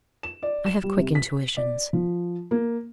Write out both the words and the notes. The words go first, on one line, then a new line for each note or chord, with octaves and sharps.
I have quick intuitions.
E7
D5
E7
G3
C3
B6
D5
F3
A#3